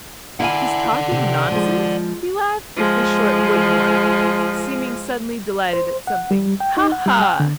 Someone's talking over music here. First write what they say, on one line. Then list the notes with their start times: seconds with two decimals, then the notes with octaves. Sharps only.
"He's talking nonsense?" he laughed, his short, wooden laugh, seeming suddenly delighted at something--"ha ha!"
0.40 E4 D5 F5 F#5 G#5
1.11 C3
1.52 F3 G#3
2.76 F3 G#3
5.73 C5
6.07 F#5
6.31 G3
6.60 G5
6.77 D#4
6.92 F#5
7.06 G3
7.22 G5
7.40 D3